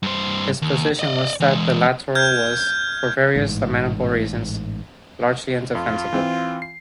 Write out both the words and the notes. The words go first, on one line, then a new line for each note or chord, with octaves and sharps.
His position was that the Litoral was, for various lamentable reasons, largely indefensible.
G2 C5
D#2
D5 D#5
E3 G#3
F6 G6 G#6
A1 G#2
F2 F4
E3 C4
C7